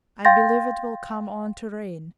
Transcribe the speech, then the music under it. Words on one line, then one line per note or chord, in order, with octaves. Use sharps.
I believe it will come on to rain.
F5 G5 C6 G6 A6 A#6